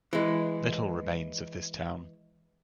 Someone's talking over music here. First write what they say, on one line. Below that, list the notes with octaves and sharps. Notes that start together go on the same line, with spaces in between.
Little remains of this town.
E3 G#3